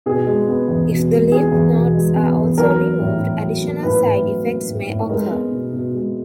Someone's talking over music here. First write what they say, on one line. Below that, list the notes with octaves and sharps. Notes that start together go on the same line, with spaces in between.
If the lymph nodes are also removed, additional side effects may occur.
B2 G#4
G#3
B3
E2
B2
G#3
B3 G#4
E2
B2
G#3
B3
E2
F#3 A#4
A#3
A2
A2
F#3
A#3
A2 B4
A2
F#3
A#3
A2
A2
G#3 A#4
B3
B2
B2
G#3